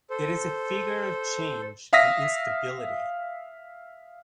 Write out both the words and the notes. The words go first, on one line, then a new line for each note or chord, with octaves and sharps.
It is a figure of change and instability.
A4 C5
E5 F5 D#6 A#6 B6